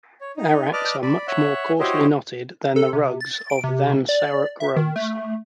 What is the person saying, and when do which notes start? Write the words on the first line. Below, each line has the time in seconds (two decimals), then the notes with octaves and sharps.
Araks are much more coarsely knotted than the rugs of than Sarouk rugs.
0.21 C#5
0.37 D#4
0.73 B4 D5 D#5 A5 D6 F6
1.02 D5 B5
1.27 C#5 E5 F#5
1.80 E4 F#4 G4 C5 C#5 D#5
2.76 A4
2.93 C3
3.21 A6
3.50 D7
3.64 C3
4.09 D5
4.60 E5
4.76 D#3
4.96 A3